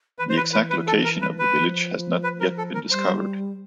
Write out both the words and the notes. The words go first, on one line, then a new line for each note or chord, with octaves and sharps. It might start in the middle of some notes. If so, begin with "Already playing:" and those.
The exact location of the village has not yet been discovered.
E3 B4
C5
B4
B4
B4
A4
A#4
B4
B4
F3
B4
A#4
A4
A#4
F#3
G3 C5